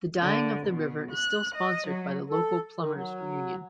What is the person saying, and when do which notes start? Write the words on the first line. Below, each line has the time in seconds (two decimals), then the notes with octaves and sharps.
The dyeing of the river is still sponsored by the local plumbers union.
0.20 D3
0.66 B2
1.12 F#6
1.55 D#5
1.87 F#3
2.30 A4
2.79 D#3
2.94 F#3